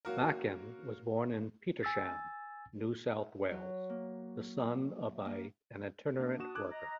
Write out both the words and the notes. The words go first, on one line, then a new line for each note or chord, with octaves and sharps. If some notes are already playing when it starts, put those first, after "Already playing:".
Makin was born in Petersham, New South Wales, the son of an itinerant worker.
F#3 A#3 F#4 A#4
G#5 E6 A6
F#3
A#3
A#3
A#3 D4
D4 F#4 D#6 E7
D6 F#6 G#6
D#5 A#5